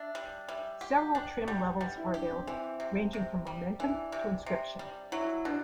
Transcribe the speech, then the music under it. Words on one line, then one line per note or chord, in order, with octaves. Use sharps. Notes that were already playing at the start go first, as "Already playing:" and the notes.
Several trim levels are available, ranging from "Momentum" to "Inscription".
Already playing: D4 E5
G3
G3 E5
G4 F#5
D4 G5
G3 F#5
F#5
G3 B4
E4
D4 G4
C4
E3
C3
C3
G3
E3 D4
C3
C3
G3
F#3 E4
B2 D4